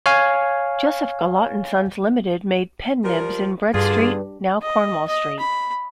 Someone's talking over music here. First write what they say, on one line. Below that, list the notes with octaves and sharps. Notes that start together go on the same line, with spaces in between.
Joseph Gillott and Sons Limited made pen nibs in Bread Street, now Cornwall Street.
C#5 F5 G#5
F3 G3 A#4
G2 D3 F4 G#4
D#5
D#5
B5